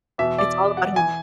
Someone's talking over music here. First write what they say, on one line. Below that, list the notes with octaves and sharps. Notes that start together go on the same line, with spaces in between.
It's all about him.
E2 B2 E5
D5
F#5
E3 G#5